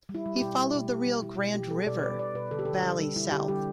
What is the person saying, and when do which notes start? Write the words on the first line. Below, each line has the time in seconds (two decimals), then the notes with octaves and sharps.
He followed the Rio Grande river valley south.
0.09 G3
0.15 E4
0.26 G3
0.36 B2 G4
0.57 G3 E4
0.74 B2
0.90 G3 G4
1.07 G3
1.22 G3 E4
1.38 B2
1.54 B2 G4
1.70 G3 A4
1.87 B2 D5
1.99 D5
2.03 G3 B4
2.19 B2 D5
2.35 B2 B4
2.51 D3 A4
2.59 G4
2.65 D3 A4
2.84 G3
3.00 G3
3.16 G3 E4
3.32 D3 G4
3.48 G3 G4